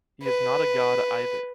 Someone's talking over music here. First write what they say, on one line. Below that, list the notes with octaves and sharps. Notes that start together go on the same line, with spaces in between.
He is not a God either.
B4